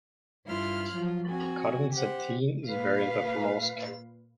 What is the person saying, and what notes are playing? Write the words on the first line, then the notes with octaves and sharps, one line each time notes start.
Cotton sateen is a variant of moleskin.
G2 E4 F4 C6 F6
F3 F#3 F4
C4 F#4 G#5
G4 C5 F#5
A#2 B4 F5